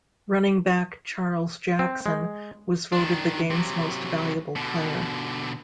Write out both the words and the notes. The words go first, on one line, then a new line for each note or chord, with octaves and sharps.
Running back Charles Jackson was voted the game's most valuable player.
C4
G#3
D#3 D4
C3 F#3
B2 D3